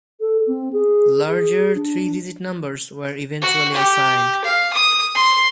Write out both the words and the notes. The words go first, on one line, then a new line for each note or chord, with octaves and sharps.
Larger three-digit numbers were eventually assigned.
A4
C4
G#4
G#4
D4
F#4
G4
F5
D#6
C6